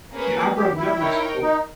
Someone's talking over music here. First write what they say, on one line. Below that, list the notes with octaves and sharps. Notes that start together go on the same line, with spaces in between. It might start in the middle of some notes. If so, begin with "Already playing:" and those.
Yeah, I remember so
A#3 C#4 G#4 B4
G4
E4
D#4 A#4 C#5 G5
D#4